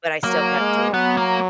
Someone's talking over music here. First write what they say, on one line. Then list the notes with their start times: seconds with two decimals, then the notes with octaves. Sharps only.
But I still kept doing it.
0.24 F#3 A#3
0.59 G#3
0.93 F#3 B3
1.17 A#3